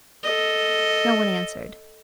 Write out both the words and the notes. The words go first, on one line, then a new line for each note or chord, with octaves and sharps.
No one answered.
A4 D#5